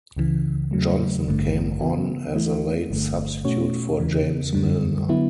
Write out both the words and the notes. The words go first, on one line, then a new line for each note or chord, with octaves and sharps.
Johnson came on as a late substitute for James Milner.
C#2 C#3 E3
E2 C#3 F#3 A3
A1 G2 D3 A3
C#3 E3 B3 F#4
E3 A3 E4
G1 G2 D3 A3
B2 A3 C#4 F#4 C#5
E2 C#3 E3
F#2 D3 G3
D3 F#3 B3 E4